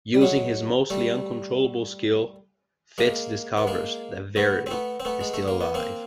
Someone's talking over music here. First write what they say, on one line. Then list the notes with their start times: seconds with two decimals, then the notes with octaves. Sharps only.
Using his mostly uncontrollable Skill, Fitz discovers that Verity is still alive.
0.14 G3
0.21 F#3 G#3
0.90 G3 A3
2.98 G#3 A#3
3.57 B3
3.67 G#3 A#3
4.36 A3 B3
4.66 C4
4.71 A3 B3
5.00 C4
5.05 A3 B3
5.21 G#3
5.34 A3
5.48 A#3
5.61 B3
5.75 A#3 C4